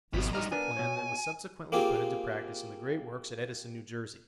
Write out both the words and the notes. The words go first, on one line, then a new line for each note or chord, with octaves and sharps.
This was the plan that was subsequently put into practice in the great works at Edison, New Jersey.
G#1 F2 B2 B6
G2 D#4 A#5 F6
B3 D4 A#4 G#5
B2 C#5
A#3 C4 F4 G4 G#4